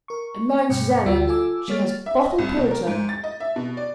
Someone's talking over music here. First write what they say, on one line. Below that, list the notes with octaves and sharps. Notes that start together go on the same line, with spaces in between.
And mind, Susanna, she has bottled porter.
A#4 C#6
G2 B2 G5 C#7
D2 G3 F4 F#4 E6
F4 A4 G#5 D6 E6
G3 A#3 C#5 F6 A6
E5
D#5
C2
B2
A#4
G#2
A6
D#5
E5
B2
D5